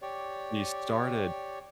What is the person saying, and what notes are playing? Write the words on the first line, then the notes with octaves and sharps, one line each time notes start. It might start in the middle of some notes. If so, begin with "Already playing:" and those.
she started
G4 C#5 D5